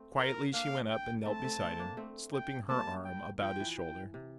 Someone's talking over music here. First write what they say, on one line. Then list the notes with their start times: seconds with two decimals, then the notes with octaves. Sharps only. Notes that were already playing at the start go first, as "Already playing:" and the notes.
Quietly she went up and knelt beside him, slipping her arm about his shoulder.
Already playing: A3 C4
0.18 A#4
0.53 A#3 D4 F5
0.90 G5
1.26 A3 C4 A5
1.43 A3 C4
1.61 A3 C4
1.79 A#3 D4
1.97 A3 C4
2.34 G5
2.69 G3 A#3 A5
3.05 G5
3.41 F3 G5
3.60 E3
3.78 G5
4.14 C3